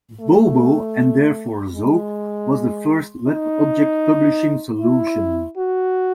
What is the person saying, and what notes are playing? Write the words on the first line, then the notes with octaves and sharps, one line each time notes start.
Bobo, and therefore Zope, was the first Web object publishing solution.
A3
G#3
D#4
E4
F#4